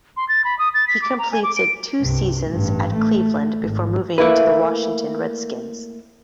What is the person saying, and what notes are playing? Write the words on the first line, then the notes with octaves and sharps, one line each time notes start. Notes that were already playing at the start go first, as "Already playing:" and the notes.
He completed two seasons at Cleveland before moving to the Washington Redskins.
C6
A6
B5
D#6
A6
B6
D6
A#5
G#5
D6
D7
C2 G2
A1 G2
A3
G#1
A3 A#3 E4 B4